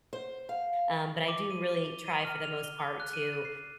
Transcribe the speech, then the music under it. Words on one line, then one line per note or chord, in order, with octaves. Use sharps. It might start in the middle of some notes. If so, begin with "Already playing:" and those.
Um, but I do really try for the most part to,
C5
F5
D6
D#7
G7
D#7
F6
F7
G7
D6
F#6
D#7
A6
C7